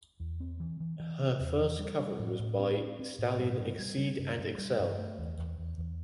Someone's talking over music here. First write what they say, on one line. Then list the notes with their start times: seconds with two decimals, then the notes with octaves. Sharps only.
Her first covering was by stallion Exceed And Excel.
0.20 E2
0.40 C4
0.60 E3
0.80 E3
0.99 E3
1.20 C4
1.40 E2
1.60 E3
1.79 G3
1.99 G3
2.19 A2
2.39 A2
2.59 C4
2.79 C4
2.99 C4
3.19 A2
3.39 G2
3.59 G2
3.79 G3
3.98 G3
4.19 G2
4.38 G2
4.58 G3
4.79 G2
4.98 A3
5.18 E2
5.38 E2
5.58 E2
5.78 E2